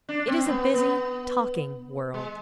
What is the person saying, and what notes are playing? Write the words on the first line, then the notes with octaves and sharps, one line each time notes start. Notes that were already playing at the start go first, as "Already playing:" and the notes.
It is a busy, talking world.
D4
C4
B3
B3
G#3